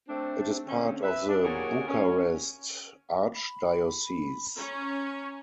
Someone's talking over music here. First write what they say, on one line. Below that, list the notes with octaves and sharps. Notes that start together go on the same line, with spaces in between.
It is part of the Bucharest archdiocese.
A3 C4 D4
D3 C4 C#4
B4 E5
D4
D#2 A#2 F#4 G#4 A#4 C#5
C#4
B5
C#4 A#5